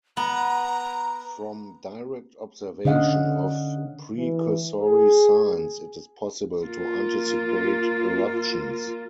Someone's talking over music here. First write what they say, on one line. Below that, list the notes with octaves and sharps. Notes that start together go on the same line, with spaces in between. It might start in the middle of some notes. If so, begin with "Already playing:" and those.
From direct observation of precursory signs, it is possible to anticipate eruptions.
B3 A#5
D3 C#4 D#5 F5 F#5
E3
G#4
A#3 F4